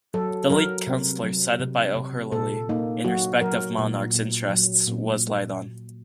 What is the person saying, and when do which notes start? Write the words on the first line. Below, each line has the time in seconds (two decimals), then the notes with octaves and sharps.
The lead councillor cited by O'Herlihy in respect of Monarch's interests was Lydon.
0.14 F#3 A4
0.50 F#3 A#4
0.87 C3
1.24 F#3
1.59 C3
1.95 C3
2.32 A#2 A4
2.69 A#3 D#4
3.04 F#3 F#4
3.41 F#3 A#4
3.78 A#2
4.14 A#2
4.50 F#3
4.87 A#2